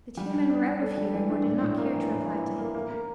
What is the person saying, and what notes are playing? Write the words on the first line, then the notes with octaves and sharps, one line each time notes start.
The two men were out of hearing, or did not care to reply to him.
G3
D4
D4
D4
A4
G3
E3
D4
A2
A2
A#3
E3
A2
E3
E4
A#3
A#3
A#3